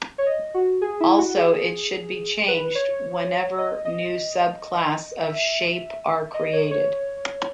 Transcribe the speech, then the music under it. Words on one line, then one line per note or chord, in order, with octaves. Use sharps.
Also, it should be changed whenever new subclass of Shape are created.
C#5
D#5
F#4
G#4
E4
F#4
G#4
B4
C#5
D#5
D#5
E5
D#5
C#5
C#5